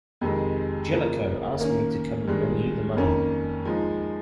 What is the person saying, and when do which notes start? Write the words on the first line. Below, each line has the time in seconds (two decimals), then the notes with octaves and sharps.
Jellicoe asked me to come and bring you the money.
0.21 F2 C3 D#3 G#3
0.90 C#3 F3 A#3
1.59 D#3 A#3 C#4
2.28 G2 D#3 G#3 D#4
2.97 F2 D#3 A#3 C#4
3.65 F3 G#3 D#4